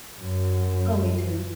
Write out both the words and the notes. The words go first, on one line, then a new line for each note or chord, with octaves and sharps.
Oh, me too.
F#2